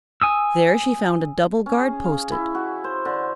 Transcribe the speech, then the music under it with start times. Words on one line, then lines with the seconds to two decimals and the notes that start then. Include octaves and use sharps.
There she found a double guard posted.
0.22 G#5 D#6 E6
1.66 C#4
1.80 G#4
2.04 F5
2.32 E4
2.55 F#4
2.84 C5
3.05 D3